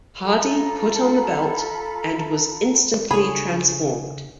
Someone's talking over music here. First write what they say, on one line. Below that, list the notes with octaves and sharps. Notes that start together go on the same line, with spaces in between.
Hardy put on the belt and was instantly transformed.
F4 A4 A#5 B5
C#3 D4 G#4 A4 C#5 G#5 B5